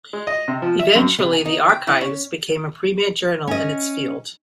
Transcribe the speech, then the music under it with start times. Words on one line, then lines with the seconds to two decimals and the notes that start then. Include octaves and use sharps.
Eventually, the "Archives" became a premier journal in its field.
0.13 G#3
0.27 D#5
0.48 C3
0.62 F3
0.79 E5
0.95 F#2
1.19 C3
1.33 G#5
1.46 D#4
1.69 G5
1.87 E4
2.01 C#4
3.47 C#4 D#5